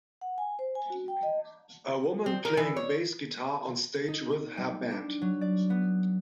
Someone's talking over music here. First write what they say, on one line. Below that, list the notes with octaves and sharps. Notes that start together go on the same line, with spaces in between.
A woman playing bass guitar on stage with her band.
F#5
G#5
C5
G#5
F#4
G5
D#5
C4
A#4
E3
C#5
D#4
G3
D4
F#3
D5
B3